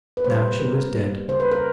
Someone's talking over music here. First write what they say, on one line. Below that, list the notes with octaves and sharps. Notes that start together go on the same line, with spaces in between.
Now she was dead.
B4
G3 A#3 C5
B2 A#4
G3 A#3
C#3 C5
B4
A#4